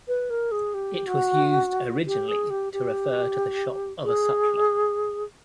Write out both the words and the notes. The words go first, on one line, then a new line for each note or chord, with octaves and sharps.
It was used originally to refer to the shop of a sutler.
B4
A#4
G#4
G4
F#4
G4
G#4
G4
G4
G#4